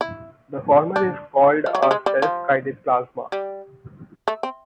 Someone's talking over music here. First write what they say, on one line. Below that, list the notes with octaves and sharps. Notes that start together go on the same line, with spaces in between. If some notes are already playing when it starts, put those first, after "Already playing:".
The former is called a self-guided plasma.
E4
D4
F3
F#3
G3
G#3
G3
F3
G3
A3
C4